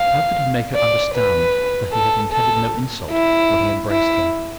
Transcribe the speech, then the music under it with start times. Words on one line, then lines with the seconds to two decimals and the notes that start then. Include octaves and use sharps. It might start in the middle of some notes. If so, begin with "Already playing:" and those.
How could he make her understand that he had intended no insult when he embraced her?
Already playing: F5
0.75 D5
1.14 B4
1.92 A4
2.32 A4
3.11 E4
3.90 E4